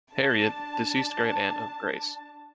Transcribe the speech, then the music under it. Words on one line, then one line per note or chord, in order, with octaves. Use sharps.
Harriet: Deceased great-aunt of Grace.
D4 A5